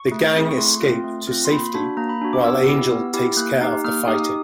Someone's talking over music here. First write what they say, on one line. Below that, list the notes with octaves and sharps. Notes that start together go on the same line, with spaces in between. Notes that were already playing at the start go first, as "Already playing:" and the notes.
The gang escape to safety while Angel takes care of the fighting.
Already playing: C#6
A3
C4 E4 G#4
C#6
A3 C6
C4 F4
A3
C4 F4
C6
A#3 B5
D4 F#4
A#3 A#5
B5
D4 F#4
D6
B3 E6
E4 G4
B3
E4 G4
A#3 F#6
D#4 G4
A#3 F6
D#4 G4 D#6